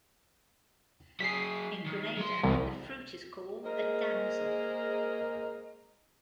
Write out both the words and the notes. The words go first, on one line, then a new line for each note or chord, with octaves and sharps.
In Grenada, the fruit is called a damsel.
F#3 G#4 B6 C7
D#3
F#3 C6
C2 E3 F3
G#3 A#3 G#4 A#4 C5 D#5